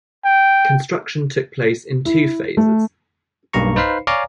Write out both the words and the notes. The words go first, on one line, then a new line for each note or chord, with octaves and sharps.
Construction took place in two phases.
G5
E4
A3
B1 G2 A#3 A#5 C#6
D#4 B4 C5 F5 B5 C7
C#5 D5 F5 G#5 A#5 D6